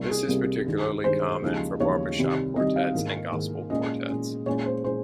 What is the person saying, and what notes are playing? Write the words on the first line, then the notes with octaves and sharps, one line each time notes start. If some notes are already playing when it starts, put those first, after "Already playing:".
This is particularly common for barbershop quartets and Gospel quartets.
Already playing: C2 C3 G3 A#3
G#4
C2 C3 G3 A#3
G2 D#3 G#3
G2 D#3 G#3 C5
D#2 C#3 F3 G#3 D#4
D#2 C#3 F3 G#3 D#4 C#5
C2 C3 D#3 G3
C2 C3 D#3 G3 D#5
F5
G#2 D#3 A#3
G#2 D#3 A#3
A#2 G#3 C#4 D#5
A#2 G#3 C#4
A#2 G#3 C#4 C#5
C5
A#2 G#3 C#4 C5